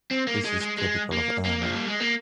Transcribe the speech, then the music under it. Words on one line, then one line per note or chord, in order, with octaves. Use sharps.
This is typical of Erna.
C4
A#3
G#3
G#3
G#3
A#3
A#3
F3
G3
G#3
A#3